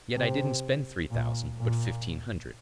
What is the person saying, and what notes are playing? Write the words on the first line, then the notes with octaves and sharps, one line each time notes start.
Yet I didn't spend three thousand, but fifteen hundred.
C3
A#2
A#2